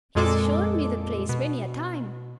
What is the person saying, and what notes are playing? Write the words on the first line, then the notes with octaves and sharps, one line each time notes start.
He's shown me the place many a time!
F2 A#2 G#3 A4 D6
B2